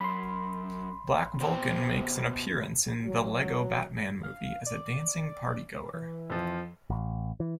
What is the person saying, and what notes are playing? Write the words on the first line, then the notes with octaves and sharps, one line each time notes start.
Black Vulcan makes an appearance in "The Lego Batman Movie" as a dancing partygoer.
F#2 B5 C6
B2 C5 G5
F#3
F5
D5
E3
F2 F3
A1
E3